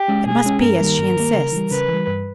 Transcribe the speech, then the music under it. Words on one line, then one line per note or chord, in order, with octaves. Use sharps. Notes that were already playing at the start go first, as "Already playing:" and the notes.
It must be as she insists.
Already playing: G4
G#3 C#4
B2 G#4
G#3 C#4
G2 A#4
D#3 G3 A#3
G2
D#3 G3 A#3
C#3
E3 G3
C#3 B4
E3
G3
G2